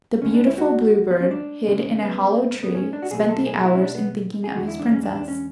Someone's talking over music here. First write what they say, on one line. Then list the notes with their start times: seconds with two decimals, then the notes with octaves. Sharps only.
The beautiful Blue Bird, hid in a hollow tree, spent the hours in thinking of his princess.
0.22 D2 D3 G#3 C#4
0.34 D4
0.47 E4
0.58 F#4
1.11 B3
1.21 C#4
1.31 D4
1.67 C#2 C#3 G#3
2.03 B3
2.63 B3
2.75 C#4
2.93 D4
3.02 F#4
3.11 B1 B2 A3 G#4
3.21 G#4
3.29 A4
3.47 G#4
3.65 E4
3.75 C#4
3.83 D4
3.95 B3
4.44 G#4
4.55 E2 D3 G#3 F#4
4.68 E4
4.79 D4
4.91 C#4
5.03 D4
5.15 D4
5.28 C#4